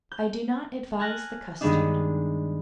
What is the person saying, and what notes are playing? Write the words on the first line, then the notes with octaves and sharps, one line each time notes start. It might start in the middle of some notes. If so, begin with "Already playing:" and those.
I do not advise the custard.
G6
G#5 A5 F6 F#6 A#6
G2 D#3 G#3 B3 D4 D#4